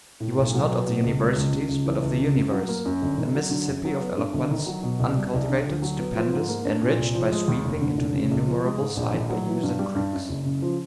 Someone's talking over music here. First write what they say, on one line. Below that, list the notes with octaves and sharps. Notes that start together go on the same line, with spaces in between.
He was not of the universities, but of the universe; the Mississippi of Eloquence, uncultivated, stupendous, enriched by sweeping into the innumerable side bayous and creeks.
A2
B1
F#3
B3
B2
C#2
G#3
C#2
C#3
C#2
E3
C#2
C#3
F#2
F#3
A#3
F#2
G1
D#3
F#3
D3
F#2
F#3
B3
G2
G1
D#3
F#3
B2
C2
G3
C2
D3
D2
F#3
B3
F3
G#2
A#3
D4
A#2
C2
F3
G#3
D#2
F1
D3
F1
C#3
C#2
F3
G#3
G#2
A#1
D#3
F#3
E3
G2
G3
G2
F#2
F#1
C#3
F3